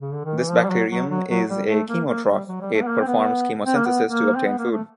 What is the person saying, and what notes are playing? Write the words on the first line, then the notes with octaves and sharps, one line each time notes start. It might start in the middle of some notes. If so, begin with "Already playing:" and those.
This bacterium is a chemotroph-it performs chemosynthesis to obtain food.
C#3
D3
D#3
E3
F3
G3
F#3
F#3
F#3
F#3
G3
A3
A#3
A#3
G3
F#3
G3
A3
B3
A#3
C4
B3
C4
A#3
B3
A#3
C4
B3
A#3
A3